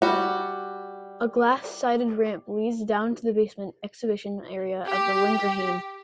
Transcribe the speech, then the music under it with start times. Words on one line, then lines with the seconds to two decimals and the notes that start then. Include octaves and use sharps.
A glass-sided ramp leads down to the basement exhibition area of the Lengerhane.
0.02 G3 F#4
4.87 G4